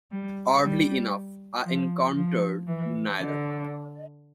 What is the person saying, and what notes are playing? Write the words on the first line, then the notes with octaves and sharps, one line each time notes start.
Oddly enough, I encountered neither.
G3
G3
F3
F3
E3
D3